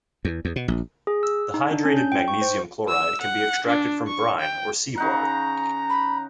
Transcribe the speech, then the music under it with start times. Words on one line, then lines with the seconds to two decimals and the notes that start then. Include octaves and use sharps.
The hydrated magnesium chloride can be extracted from brine or sea water.
0.25 E2
0.45 E2
0.56 B2
0.68 A#1
1.07 G#4
1.23 E6
1.54 D#4
1.71 D4
1.85 C#4
1.97 G6
2.12 G5
2.28 C#6
2.42 C5
2.88 E6
3.22 F#5
3.67 D4
4.07 C#6
4.39 G5
4.98 C#3 D#4 F#5 A#5
5.90 B5